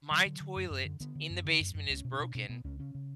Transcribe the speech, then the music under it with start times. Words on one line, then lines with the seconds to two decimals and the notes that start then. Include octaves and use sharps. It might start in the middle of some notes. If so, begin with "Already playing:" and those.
my toilet in the basement is broken,
0.11 D3 F#3
0.26 D3
0.40 D3
0.56 F#2
0.70 F#2
0.85 D3
1.00 D3 B3
1.15 D3
1.30 F#2
1.45 D3
1.60 F#2
1.75 F#2
1.90 C#2 C#4
2.05 B2
2.12 D4
2.20 B2
2.35 B2 C#4
2.49 B2 B3
2.64 C#2 C#4
2.79 C#3 C#4
2.95 C#3